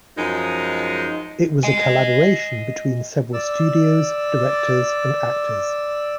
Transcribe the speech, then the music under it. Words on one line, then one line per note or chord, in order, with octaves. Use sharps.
It was a collaboration between several studios, directors and actors.
F#2 F3 G#3 D#4
D#5 G#5
D5 E6